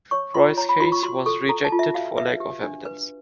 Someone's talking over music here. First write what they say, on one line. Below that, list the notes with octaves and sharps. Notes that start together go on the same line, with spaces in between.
Floris's case was rejected for lack of evidence.
C#5 C#6
F4 C6
C#5 A#5
B5
F4 C6
C#6
F#4 C6
A4 C#6
A4 A#5
A5
F4
E5
F#4 F5
B4 E5
G4
D4
B4